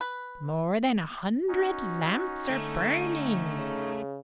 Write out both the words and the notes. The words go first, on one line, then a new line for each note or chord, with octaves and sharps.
More than a hundred lamps are burning.
B4
C#4 D#4 F#4
D3 A3
C#3